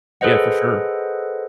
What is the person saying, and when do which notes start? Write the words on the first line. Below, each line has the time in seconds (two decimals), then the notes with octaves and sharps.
Yeah, for sure.
0.21 G#4 A4 B4 C5 D#5 F#5